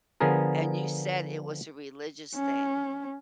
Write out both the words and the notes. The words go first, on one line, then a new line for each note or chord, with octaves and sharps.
and you said it was a religious thing
D3 F3 B3 G#4 A#4
C#4